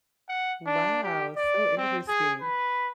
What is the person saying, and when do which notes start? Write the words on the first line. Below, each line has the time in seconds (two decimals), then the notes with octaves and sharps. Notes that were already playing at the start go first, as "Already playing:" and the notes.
Wow, so interesting.
0.29 F#5
0.67 D4
1.03 G4
1.37 D5
1.77 C4
2.08 G#4
2.41 B4